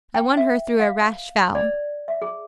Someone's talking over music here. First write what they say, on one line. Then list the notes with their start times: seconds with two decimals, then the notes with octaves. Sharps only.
I won her through a rash vow.
0.14 G5
0.37 E5
0.80 F5
1.55 D5
2.08 E5
2.22 G#4